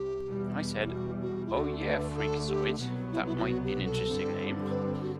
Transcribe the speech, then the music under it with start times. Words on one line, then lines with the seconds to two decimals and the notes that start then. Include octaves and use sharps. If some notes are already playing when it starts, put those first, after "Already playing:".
I said 'Oh, yeah, 'Freakazoid', that might be an interesting name.
Already playing: C2 C3 G4
0.26 E2 B2 G3
0.85 E4
0.90 F#4
1.21 F#4
1.46 E4
1.52 D2 D3 A3 F#4
1.85 B4
2.16 A4
2.48 G4
2.80 C2 B2 F#3 B3
3.12 E4
3.26 E4
3.37 E4
3.43 F#4
3.64 G4
3.85 A4
4.06 G2 D3 G3 C4
4.70 B4
5.01 F#4